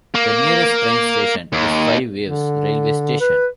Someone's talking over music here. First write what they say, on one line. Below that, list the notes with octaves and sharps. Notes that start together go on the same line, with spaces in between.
The nearest train station is Five Ways railway station.
A#3
D#2
D3
B4